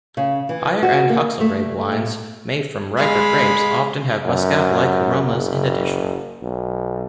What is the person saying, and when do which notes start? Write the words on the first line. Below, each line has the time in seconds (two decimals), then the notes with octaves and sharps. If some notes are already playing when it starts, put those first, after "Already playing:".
Higher-end Huxelrebe wines made from riper grapes often have muscat-like aromas in addition.
0.17 C#3
0.49 E3
0.83 F#4
1.09 A#3
1.41 A3
1.92 A2
2.97 G#3 D#5 F5 B5
4.25 F#2
5.28 F#1
6.42 B1